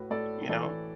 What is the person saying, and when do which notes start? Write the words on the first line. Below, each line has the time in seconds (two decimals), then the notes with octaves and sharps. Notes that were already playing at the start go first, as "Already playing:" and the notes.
you know,
Already playing: A2 F#4 B4
0.10 A2 A4 D5
0.49 E3 A4 D5